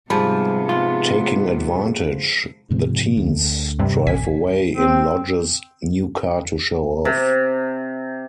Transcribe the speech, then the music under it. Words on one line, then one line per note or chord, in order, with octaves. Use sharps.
Taking advantage, the teens drive away in Lodge's new car to show off.
G#2 C3 F3 G3 B3 A5 B5
G#3 F4
G#2 C3 F3
D2 D3
G2 C3 G3
A#1 D#2 G#5 B6
C4
C3